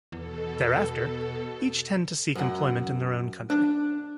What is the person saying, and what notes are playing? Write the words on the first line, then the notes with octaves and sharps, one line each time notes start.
Thereafter, each tend to seek employment in their own country.
E2 B2 A4
F#2 F#5
D4